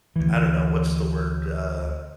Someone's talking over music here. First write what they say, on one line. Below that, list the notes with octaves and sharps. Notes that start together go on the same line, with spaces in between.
I don't know. What's the word, uh
D2 E3